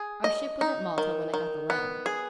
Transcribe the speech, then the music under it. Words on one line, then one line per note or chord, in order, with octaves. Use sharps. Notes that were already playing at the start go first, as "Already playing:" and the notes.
Our ship was at Malta when I got the letter.
Already playing: G#4
D#5
D#4
D#3
D#3
B3
G#4